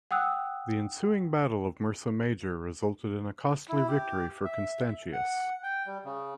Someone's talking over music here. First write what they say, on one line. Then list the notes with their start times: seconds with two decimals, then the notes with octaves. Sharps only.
The ensuing Battle of Mursa Major resulted in a costly victory for Constantius.
0.11 F#5 G5 D#6 E6 F#6
3.69 E4
3.88 G4
4.45 E5
5.13 F#5
5.63 G5
5.86 G3
6.05 C#3